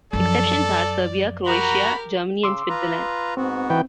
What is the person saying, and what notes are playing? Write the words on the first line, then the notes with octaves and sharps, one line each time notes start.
Exceptions are Serbia, Croatia, Germany and Switzerland.
F#2 F3 A4 D5
F#4 G4 A#4 A#5 B5
C#3 C6 D6 E6
F4 B4 A#5
G#2 B3 C4 F#4
E3 B4 G5